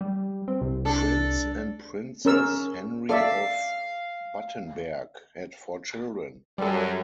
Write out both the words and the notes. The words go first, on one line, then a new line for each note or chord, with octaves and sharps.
Prince and Princess Henry of Battenberg had four children.
G3
C4
C2
D4 A4
C#4 A#4 E6
A4 D5 E5 F5
F#2 G3 A4